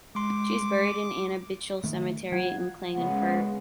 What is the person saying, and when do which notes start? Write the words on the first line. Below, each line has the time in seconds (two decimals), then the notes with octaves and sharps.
She is buried at the Annabichl cemetery in Klagenfurt.
0.15 G#3 C6 D6
1.84 D#3 A3
2.32 F#3 F4 F#5 G#6
2.95 C#3 G#3 B3 F#5